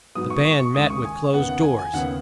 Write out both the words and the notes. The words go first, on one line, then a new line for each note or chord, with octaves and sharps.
The band met with closed doors.
G#2 F#3 B3 D#6
C#6
C#6
C#6
D#2 C#3 G#3 D#6
C#6
G#5
D#2 C#3 B3 F#5
F#5
G#5
G#5
D#2 C#3 B3 F#5